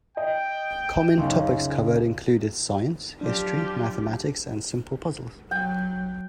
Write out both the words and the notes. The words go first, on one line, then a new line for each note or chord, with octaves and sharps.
Common topics covered included science, history, mathematics, and simple puzzles.
D#5 G5
C#2 F#2 D#4
F3 F#3 D4 G4
F#3 G5